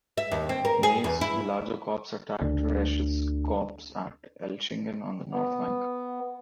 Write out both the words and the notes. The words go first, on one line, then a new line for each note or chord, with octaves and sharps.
Ney's larger corps attacked Riesch's corps at Elchingen on the north bank.
E5
D#2
C4
A#4
G#4
E2
E4
D2 D3
B3